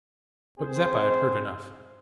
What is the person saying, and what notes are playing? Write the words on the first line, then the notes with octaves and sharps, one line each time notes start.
But Zeppa had heard enough.
C4 G#4 C5